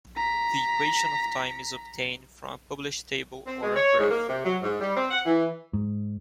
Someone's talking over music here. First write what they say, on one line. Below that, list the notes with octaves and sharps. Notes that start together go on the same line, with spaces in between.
The equation of time is obtained from a published table, or a graph.
A#5 B6
C4
G#3
C#5
G#2
A#3
C3
F#3
G#2
G3
C4
F#5
E3
G#2